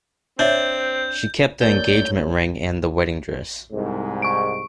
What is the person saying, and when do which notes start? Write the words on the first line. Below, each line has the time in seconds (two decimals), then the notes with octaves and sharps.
She kept the engagement ring and the wedding dress.
0.39 C4 D4 C#5 E5 G6
1.61 F#2 A2 A#3 A#4 D5 G6
3.73 C2 G#2
4.22 C#6 D7